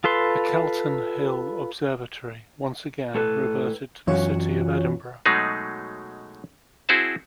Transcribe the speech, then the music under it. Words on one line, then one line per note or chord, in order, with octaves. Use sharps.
The Calton Hill Observatory, once again, reverted to the City of Edinburgh.
F4 A4 B4 C6
A2 A4 B4
F#2 E3 C#4 F4 F#4 C#5
B2 F#3 G#3 A3 D#4 G#4
C4 E4 F#4 G#4 C5 A5